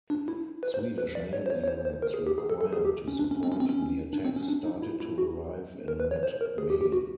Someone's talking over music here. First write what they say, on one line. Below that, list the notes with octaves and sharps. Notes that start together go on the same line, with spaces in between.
Swedish naval units required to support the attack started to arrive in mid May.
D4
E4
B4
C5
B4
D5
C#5
C5
C#5
C#5
C5
C5
A#4
G#4
G4
G#4
A4
A4
G#4
G4
C#4
D4
C#4
C4
C#4
C4
C#4
D4
C4
C#4
D4
D#4
E4
E4
F#4
A#4
B4
C#5
C5
A#4
G#4
G4
G4
F#4